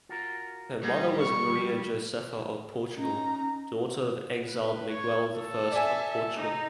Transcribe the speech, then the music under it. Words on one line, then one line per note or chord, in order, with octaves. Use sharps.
Her mother was Maria Josepha of Portugal, daughter of exiled Miguel I of Portugal.
F4 F#4 A#4
A#2 G3 D#4 G#4 F#5
C#6
F3 G4
C#4 D#4 A#5
B4
C#5
A4
D5 E5 G#5
D#4